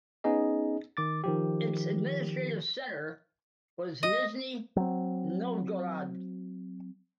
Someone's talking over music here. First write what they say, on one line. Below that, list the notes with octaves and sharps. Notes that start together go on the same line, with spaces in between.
Its administrative centre was Nizhny Novgorod.
B3 C#4 D#4 G#4 D#5
D#3 D6 A6
D#3 F3 G4
D#5
F#3 C4